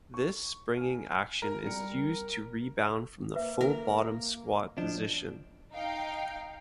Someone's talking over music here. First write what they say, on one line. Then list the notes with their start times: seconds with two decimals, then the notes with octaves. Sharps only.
This springing action is used to rebound from the full bottom squat position.
0.14 C#6
0.77 G#5 F6
1.42 A#4
1.63 G3 G5 C#7
3.35 A#3 B4 E5
3.61 A#3 A#4
4.78 F3 D4 D#5
5.73 D#4 F5 G5